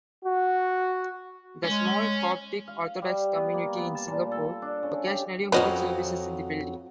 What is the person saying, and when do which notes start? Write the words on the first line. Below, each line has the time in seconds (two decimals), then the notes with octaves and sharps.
The small Coptic Orthodox community in Singapore occasionally hold services in the building.
0.24 F#4
1.65 G#3 C#4
2.68 F5
3.02 G3
3.35 B3
3.54 A#3
3.77 B3
3.95 A5
4.08 A#2
4.32 A4
4.62 D4
4.83 C#3
5.07 G4
5.52 F2 G#2 F3 F#3 C#4 B4 D#5